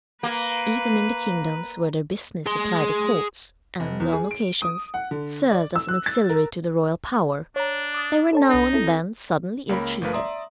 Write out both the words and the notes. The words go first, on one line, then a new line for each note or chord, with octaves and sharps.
Even in the kingdoms where their business supplied the courts, and, on occasions, served as an auxiliary to the royal power, they were now and then suddenly ill-treated.
A#3 B4
G#4 C6
F1
E2
G#4
D7
D#6
F#5
D3
D5
E6
F#6
A6
A#4
D4 C#5 A#5
D6 D#6 A6
A4 C#5 A5
C2 D4 D#4
C4 E4 A4
C#2 A#3 A#4 C#5 B5
G1 F3 A3 A#4 B4 F5
D5 E5 A#5 C6 D#6